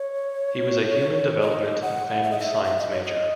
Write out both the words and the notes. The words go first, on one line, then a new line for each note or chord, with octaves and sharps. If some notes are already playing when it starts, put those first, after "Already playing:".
He was a human development and family science major.
Already playing: C#5
D#5
F#5
E5
D#5
E5
E5
D#5
C#5
D#5